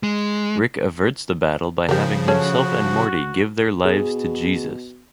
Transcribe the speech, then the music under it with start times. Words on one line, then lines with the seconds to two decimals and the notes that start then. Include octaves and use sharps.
Rick averts the battle by having himself and Morty give their lives to Jesus.
0.03 G#3
1.89 C#3 F3 G4 A#4
2.28 C#4 F#4 G#4 A4
3.85 B2 G#4